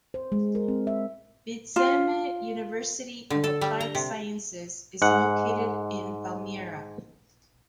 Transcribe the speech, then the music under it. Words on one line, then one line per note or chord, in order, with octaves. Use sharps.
Vidzeme University of Applied Sciences is located in Valmiera.
C5
G#3
A#4
C4
E5
F4
D3
A4
G3
A#5
C3
G#2 F#5